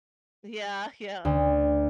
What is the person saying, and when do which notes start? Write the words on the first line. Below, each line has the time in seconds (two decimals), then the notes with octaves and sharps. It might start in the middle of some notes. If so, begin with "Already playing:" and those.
Yeah. Yeah.
1.25 D2